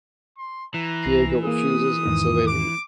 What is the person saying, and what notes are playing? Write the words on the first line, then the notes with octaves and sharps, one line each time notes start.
Diego refuses and so they leave.
C6
E3 A#5
C2 A#6 C7
A#3 G#4 D#6
E2 G#2 D#3
D6